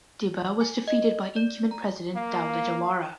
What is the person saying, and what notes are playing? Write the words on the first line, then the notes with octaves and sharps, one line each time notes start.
Dibba was defeated by incumbent President Dawda Jawara.
G#5
D#5
D5
A#5
A#3 F5